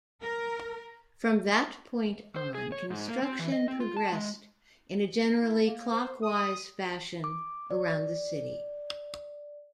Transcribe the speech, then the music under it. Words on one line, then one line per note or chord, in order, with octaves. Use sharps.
From that point on, construction progressed in a generally clockwise fashion around the city.
A#4
C5
G#4
C#5
G#2
A#3
C4
E3
D#5
C4
F4
A5
G#3
E4
A#3
C5
D#6
D6
D5